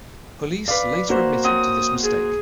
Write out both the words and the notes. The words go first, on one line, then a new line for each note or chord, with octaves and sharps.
Police later admitted to this mistake.
B4 D5 F5
A#3 F#4 C5
C4 C#5 F#5 D#6
G#4